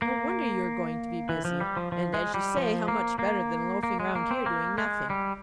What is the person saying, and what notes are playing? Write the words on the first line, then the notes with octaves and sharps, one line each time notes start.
"No wonder you are going to be busy; and, as you say, how much better than loafing round here doing nothing."
A#3
E3
F3
G3
F3
F3
G#3
G3
F3
A#3
A#3
A#3
G#3
A#3
C4
A#3
G#3
G3